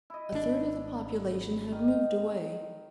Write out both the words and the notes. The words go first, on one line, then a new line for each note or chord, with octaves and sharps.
A third of the population had moved away.
E4 D#5
G#1 D4
D#3